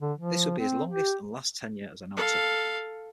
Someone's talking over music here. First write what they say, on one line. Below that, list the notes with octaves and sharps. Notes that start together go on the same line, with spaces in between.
This would be his longest and last tenure as announcer.
D3
F3
C4
G4
A4 F5